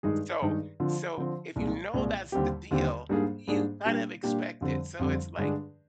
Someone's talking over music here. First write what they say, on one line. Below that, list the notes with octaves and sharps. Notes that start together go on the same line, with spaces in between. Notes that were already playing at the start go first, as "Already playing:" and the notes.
So so, if you know that's the deal, you kind of expect it, so it's like
G2 D#3 G#3 D#4 G#4
G2 D#3 G#3 D#4 G#4
D3 F3 C4 F4
D3 F3 C4 F4
C2 A#2 G#3
C2 A#2 G#3
D#2 D3 G3 C4 G4
D#2 D3 G3 C4 G4
G#2 G3 A#3 D4 G#4
G#2 G3 A#3 D4 G#4
A#2 G3 A#3 D4 G4
A#2 G3 A#3 D4 G4
F2 D3 G3 C4
F2 D3 G3 C4
G2 D3 G#3 D4 G#4